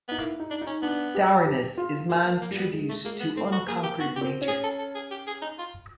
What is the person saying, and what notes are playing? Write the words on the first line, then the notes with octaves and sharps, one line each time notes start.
Dourness is man’s tribute to unconquered nature.
B3 D#4
A#3 E4
D#4
D4
D#4
C#4
B3 D4
G4
G4
F4
A#3 F4
A#3
A#3
G3
B3
G#3
A3
G#3 A#3
B3
A3 C4
F#4
A#3 G#4
G4
B3 F#4
G4
C4
C#4
G#4
A4
A4
G#4
G4
G#4
D#4
F4